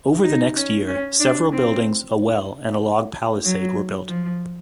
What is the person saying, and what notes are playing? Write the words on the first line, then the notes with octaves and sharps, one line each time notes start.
Over the next year, several buildings, a well, and a log palisade were built.
D#4
C#4
C#4
D4
C4
F#3
F3